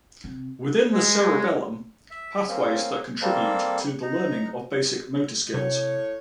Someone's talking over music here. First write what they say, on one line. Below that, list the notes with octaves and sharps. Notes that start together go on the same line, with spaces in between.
Within the cerebellum pathways that contribute to the learning of basic motor skills.
C3
G#3
E5
A#3 C4 C#4
G3 A#3 C4 A4
D#4 A#5
A2 C3 C#5